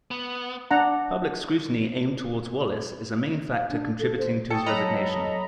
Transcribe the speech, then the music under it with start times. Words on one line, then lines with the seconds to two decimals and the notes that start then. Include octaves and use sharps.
Public scrutiny aimed towards Wallace is a main factor contributing to his resignation.
0.11 B3
0.71 D4 F#5 A#5
3.53 F5
3.71 D4
3.99 A4
4.19 C5
4.50 A4 G5 C#6 D#6 C#7
4.66 F#3 C#5 D#5 A#5 B5